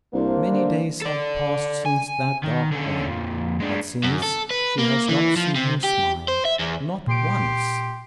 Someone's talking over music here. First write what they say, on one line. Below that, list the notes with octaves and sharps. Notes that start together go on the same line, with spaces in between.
Many days have passed since that dark one; but since, she has not seen him smile--not once!
C2 A#3 D4 C5
D3
A4 D5
G#5
D#3
D3 C#4
F2 A#2
G#3 D4
F#2
A4
B4
A#3
E3
F3
C3
G4
C5
E5
E2
A#2 G4 C6 D7